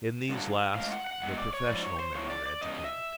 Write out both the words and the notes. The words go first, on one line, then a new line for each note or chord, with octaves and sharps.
In these last the professional men were educated.
G2 D3 F#3
A2 F3 G#3 F5
F#5
F#5
B2 G#3 F#5
D5
C#5
G#2 F3 D5
C#5
C5
E2 C#3 E3 C#5
D5
D5
E2 C#3 G#3 D#5
E5